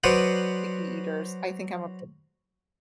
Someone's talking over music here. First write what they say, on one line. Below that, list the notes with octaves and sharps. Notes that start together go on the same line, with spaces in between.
picky eaters, I think I'm a p
F#3 B4 C5 D5 F#5 D#6